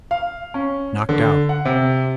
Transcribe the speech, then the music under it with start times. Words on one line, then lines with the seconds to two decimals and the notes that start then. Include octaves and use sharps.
Knocked out.
0.11 F5
0.54 C#4
1.09 D3
1.49 F#5
1.65 C3